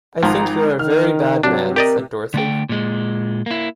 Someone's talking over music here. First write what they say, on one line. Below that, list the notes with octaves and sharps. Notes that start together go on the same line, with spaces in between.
"I think you are a very bad man," said Dorothy.
G#1 F3 A#5
D#3 F6
C3 F#3 D4
G4 A#4 D5 D#5
D3 A3 G5
A#2 G#3
A#3 E4